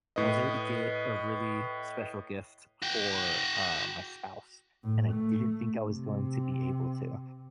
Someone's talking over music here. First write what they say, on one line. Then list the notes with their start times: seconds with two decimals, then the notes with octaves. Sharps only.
I was able to get a really special gift for, uh, my spouse, and I didn't think I was going to be able to.
0.16 A2 B4 D#5
2.82 F#4 G5
4.83 A2
5.12 A3
5.85 C3